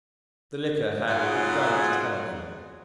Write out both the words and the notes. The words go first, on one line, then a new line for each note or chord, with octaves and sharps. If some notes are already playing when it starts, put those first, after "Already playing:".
The liquor had begun to tell on him.
G#2 F#3 B3 F4 G#4 F#5